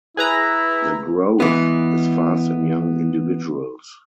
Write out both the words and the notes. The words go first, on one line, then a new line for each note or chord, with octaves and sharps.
The growth is fast in young individuals.
E4 G#4 B4 A#5
E3 G#3 B3